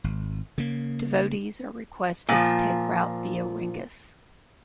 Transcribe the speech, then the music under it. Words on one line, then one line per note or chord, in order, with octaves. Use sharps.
Devotees are requested to take route via Ringus.
G#1
C#3 A#3
A#2 F3